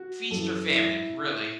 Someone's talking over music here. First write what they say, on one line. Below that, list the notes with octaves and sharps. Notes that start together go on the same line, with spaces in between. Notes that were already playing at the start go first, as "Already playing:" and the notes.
feast or famine, really.
Already playing: F#4
F#2 E3 A4
E4